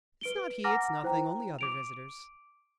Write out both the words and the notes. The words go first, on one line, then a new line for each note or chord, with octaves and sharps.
"It's not he, it's nothing, only other visitors."
B4 D7 G7
F#5 G#5 A#5 D6 F6 A#6
E4 C5 G5 A#5
D6 D7 F7